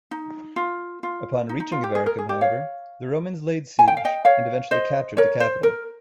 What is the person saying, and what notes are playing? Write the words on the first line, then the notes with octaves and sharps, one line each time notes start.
Upon reaching Avaricum however, the Romans laid siege and eventually captured the capital.
D#4
F4
F4
D#4
D#4
F4
G4
G#4
A#4
G#4
G4
C#5 F5
G#5
G5
F5
D#5 G5
C#5 F5
C5 D#5
A#4 C#5
C5
A#4